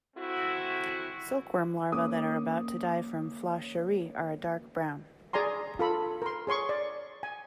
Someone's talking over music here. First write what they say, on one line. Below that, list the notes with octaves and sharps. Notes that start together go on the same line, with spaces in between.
Silkworm larvae that are about to die from Flacherie are a dark brown.
A3 C4 E4 F#4
A#3 C#4 D6 D#6
G#4 D5 G#5 A#5 C6
F4 A4 B5
A#4 C6
G#4 C#5 C6 C#6
D5
G#5